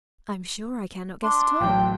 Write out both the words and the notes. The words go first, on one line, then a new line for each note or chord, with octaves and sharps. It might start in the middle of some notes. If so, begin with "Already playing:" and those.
"I am sure I cannot guess at all."
D4 C6
A1 F#3 G5